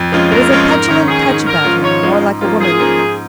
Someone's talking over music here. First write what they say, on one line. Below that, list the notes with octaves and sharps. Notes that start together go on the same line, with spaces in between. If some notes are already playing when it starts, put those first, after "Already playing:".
There was a petulant touch about him--more like a woman.
Already playing: F2
F3 G#3 C#4 F4
F2 A#4
F3 G#3 C#4 F4
G#2 A#4
D#3 C#4
G#2 G#4
D#3 C#4
G#2 A#4
F3 G#3 C#4 F4
G#2 C#5
F3 G#3 C#4 F4
G#2
F3 A#3 C#4 F4
G#2 G#4
F3 A#3 C#4 F4
G#2